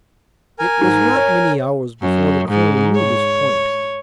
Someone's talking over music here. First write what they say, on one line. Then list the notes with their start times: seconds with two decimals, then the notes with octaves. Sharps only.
It was not many hours before the colonel knew this point.
0.59 A#4 G#5
0.81 G#2
1.16 C#5
2.01 F#2
2.49 G#2
2.95 C#5